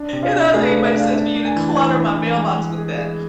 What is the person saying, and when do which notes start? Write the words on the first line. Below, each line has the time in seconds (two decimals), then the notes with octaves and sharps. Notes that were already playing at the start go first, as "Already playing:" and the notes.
it doesn't even make sense for you to clutter my mailbox with that,
Already playing: D4
0.13 C3
0.23 F4
0.33 D4
0.54 A3 G#4
0.62 B4
0.68 A4
0.73 A3
0.84 E5
0.94 D4
0.99 F5
1.14 D4 E5
1.35 D4
1.45 G#5
1.56 E3
1.69 A5
1.75 E3 G#5
1.96 E3
2.16 E3
2.37 G#3 G#5
2.58 G#3
2.78 G#4
2.98 G#4